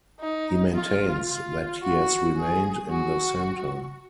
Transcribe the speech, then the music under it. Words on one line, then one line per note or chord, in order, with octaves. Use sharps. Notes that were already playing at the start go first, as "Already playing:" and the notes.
He maintains that he has remained in the centre.
D#4
F4
F4
F#4
G#4
F#4